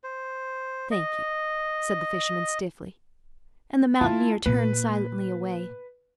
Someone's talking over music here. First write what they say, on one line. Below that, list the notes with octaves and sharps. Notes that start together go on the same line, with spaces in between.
"Thank you," said the fisherman stiffly, and the mountaineer turned silently away.
C5
D#5
A3 D4 E4 F4 A5
A#2 A#3 B4